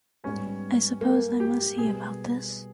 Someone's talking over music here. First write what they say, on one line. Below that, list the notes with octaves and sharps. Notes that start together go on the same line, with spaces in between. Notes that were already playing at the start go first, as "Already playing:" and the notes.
I suppose I must see about this.
G#2 G3 B3 C#4
A#3
G4
B2 G3 B3 G4 G#4 B4